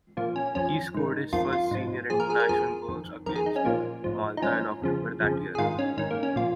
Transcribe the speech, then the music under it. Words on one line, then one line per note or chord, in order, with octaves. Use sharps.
He scored his first senior international goals against Malta in October that year.
A#2 F3 A#3
C#4
F2 F3 C#4
G#2 D#3
F2 D#3 F4
F4
G#2 F3
A#2 F3 G#4
A#4
G#4
A#4
F2 F3 G#4
F2 D#3
F2 D#3 A#4
G#4
D#4
C#4
A#2 F3 A#3
G#2 F3
D#4
G#2 F3 C#4
F2 C#3 F3
F2 C#3 F3
G#4
G#2 D#3 F4
C#4
G#2 D#3 C#4
A#3
C#4
A#2 F3 F4